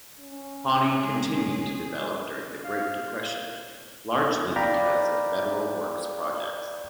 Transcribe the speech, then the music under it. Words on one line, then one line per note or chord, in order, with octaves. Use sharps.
Pawnee continued to develop during the Great Depression, largely because of Federal works projects.
C#4
G#3 G#4
F5
D5 F5 G5 A#5 B5